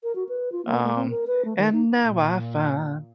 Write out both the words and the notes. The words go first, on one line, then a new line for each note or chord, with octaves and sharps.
Um, And now I find,
A#4
F#4
B4
F4
A#3
A3
C4
A#4
B4
A3
D#3
D#4
A#2